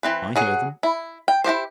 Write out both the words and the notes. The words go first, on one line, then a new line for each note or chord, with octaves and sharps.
I hear them.
E3 C4 B4
F#3 G#4 F#5
E4
G5
E4 F#4 G4 C5